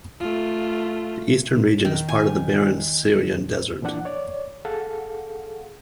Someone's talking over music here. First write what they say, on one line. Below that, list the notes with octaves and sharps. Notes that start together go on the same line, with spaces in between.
The eastern region is part of the barren Syrian Desert.
A3 F4
D#3
G#5
A#2 E3 F3 D4 F#5
C#5 D5
G#4 A4 F5 F#5